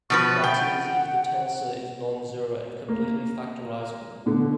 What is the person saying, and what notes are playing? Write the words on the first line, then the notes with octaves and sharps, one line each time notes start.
That is, if the tensor is nonzero and completely factorizable.
B2 F3 B4 C#6
F#5 G5
A#3
B2 D3